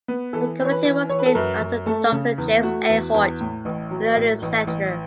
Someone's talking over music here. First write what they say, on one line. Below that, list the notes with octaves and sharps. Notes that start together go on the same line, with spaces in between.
The community was named after Doctor James A. Hoyt, an early settler.
B3
E3 A4
E3
C#5
B4
E3
E3 C#5
B4
A4
F#2 B4
F#2
A3 A4
C#3
E2
A3 F#4
E2
E2
A2
A1
F#3
A2
A1
A1